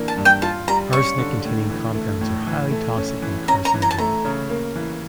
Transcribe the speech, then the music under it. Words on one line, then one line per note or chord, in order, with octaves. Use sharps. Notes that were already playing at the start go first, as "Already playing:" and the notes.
Arsenic-containing compounds are highly toxic and carcinogenic.
Already playing: E3 A#3 D4
A5
G2
G5
F4 A5
G3 A#5
C#4 C#6
D3
A2
E3
A3
A2
E3
A3
C#4
E3
C#4 A#5
A#5
E3
A#5
A5
A3 A#5
C#3
A#3
E3